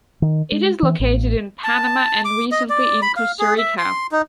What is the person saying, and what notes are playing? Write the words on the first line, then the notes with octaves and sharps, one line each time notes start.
It is located in panama and recently in Costa Rica.
D#3
G#3
E3
A1
A5
D6
D#5
D5
B5
F5
G#4
E5
C6
D#4